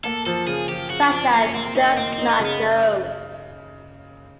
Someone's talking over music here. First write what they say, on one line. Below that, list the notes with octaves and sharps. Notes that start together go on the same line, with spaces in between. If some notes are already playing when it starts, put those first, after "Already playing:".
Sasha does not know.
A#3 A4
F3 A4
C#3 G#4
F3 G4
C#3 F#4
F3 D4
A#3 C#4
A#3 C4
C#4 D#4
A#3 C4
C4 D#4
B3
C#3
B3